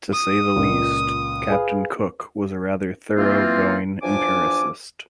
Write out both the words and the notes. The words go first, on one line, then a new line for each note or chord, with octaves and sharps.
To say the least, Captain Cook was a rather thorough going empiricist.
D#6
C#2 A#2
G#4 B4 F5
E3 A#3 C4 F4
E2 F3 D4 G#5 D6